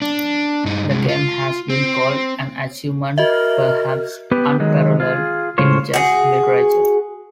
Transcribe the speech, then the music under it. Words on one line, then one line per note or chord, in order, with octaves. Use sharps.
The game has been called an achievement "perhaps unparalleled in chess literature".
D4
G2 D#4
C2 G#3
F4
C4
F#4 A#4 D#5 E5
B3 G4 B4
D#3 F#3 G#3
F4 G#4
A2 C#3 G#3 F4 C5 C#5
F#4 G#4